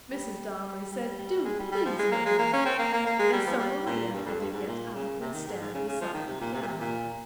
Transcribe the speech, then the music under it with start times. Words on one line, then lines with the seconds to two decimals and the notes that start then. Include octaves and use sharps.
Mrs. Donnelly said "Do, please, Maria!" and so Maria had to get up and stand beside the piano.
0.12 G3
0.92 G3
1.18 G3
1.45 G#3
1.59 G3
1.72 G3
1.86 F3
1.99 G#3
2.12 A#3
2.26 G#3
2.39 A#3
2.53 C#4
2.66 C4
2.79 A#3
2.93 A#3
3.06 A#3
3.19 G#3
3.33 G3
3.47 F3
3.59 G3
3.86 A#2
4.13 G2
4.26 F2
4.40 G2
4.53 G#2
4.67 A#2
4.94 C#3
5.20 C3
5.33 D#3
5.48 G#2
5.60 G#2
5.74 C#3
5.88 C#3
6.01 F3
6.14 D#3
6.27 C3
6.41 A#2
6.54 C3
6.62 A#2
6.67 C3
6.81 A#2